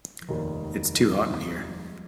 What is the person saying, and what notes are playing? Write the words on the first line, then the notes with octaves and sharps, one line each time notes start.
It's too hot in here.
F3
F1 D#2 D#3 G3
G#3
G3
A#3
C4
F3
F3
F3
G3
G#3
F3